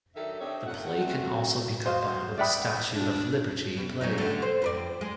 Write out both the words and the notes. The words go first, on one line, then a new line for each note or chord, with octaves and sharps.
The play can also be combined with a Statue of Liberty play.
D#3 F#3 D4 A4 E5
C4 D4 G4 C#5 D#5 E5
F2 D#3 A3 F#5
A3 C4 F#4
F#4 C5 D#5 F5
D5 E5 F#5 G5 B5 D#6
D4
B2
F#3 C#4 D#4
D3 A3 A4
C5
F2 B4 D5
G#3